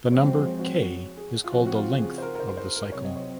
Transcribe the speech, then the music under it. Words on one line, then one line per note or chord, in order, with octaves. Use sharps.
The number "k" is called the "length" of the cycle.
F3 G#3 C4 C#5
F#4
G#4
G#4
F#4
F#4
G#4
F4
C#3 F3 C4 F#4
F#4
F4
G#4
C5
A#4
A#4
C5
C5
A#4
C3 F#3 C4 C#5
D#5
C#5